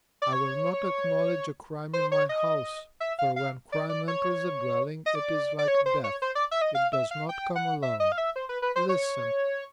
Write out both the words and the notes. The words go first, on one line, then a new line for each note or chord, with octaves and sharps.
I will not acknowledge a crime in my house; for when crime enters a dwelling, it is like death--it does not come alone.' Listen.
D5
C#5
C5
C#5
D#5
E5
F5
F5
D5
D5
C#5
D#5
D5
D5
C#5
C5
C#5
C5
D5
E5
D#5
F5
E5
F5
G5
F#5
E5
D#5
F5
E5
C5
B4
B4
C5
C#5